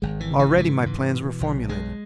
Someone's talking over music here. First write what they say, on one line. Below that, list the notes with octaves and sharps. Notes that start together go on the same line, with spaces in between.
Already my plans were formulated.
G#1 G#3
E3
C#3
E3
G#2 E3
G#2
B2
B1
B1 G#3